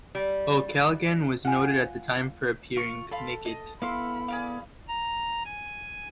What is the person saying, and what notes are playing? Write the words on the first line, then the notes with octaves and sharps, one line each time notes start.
O'Callaghan was noted at the time for appearing naked.
G3
F4 F#5 G#5
F4 C#6
A4 F5 B5 C6
D#5
B3 E4 A4 F5 B5 C6
G#4 D5 F5
A#5
G#5